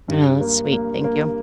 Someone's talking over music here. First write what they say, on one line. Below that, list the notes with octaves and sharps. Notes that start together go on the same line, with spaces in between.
Oh, that's sweet, thank you.
G2
A#3
A#3
A#3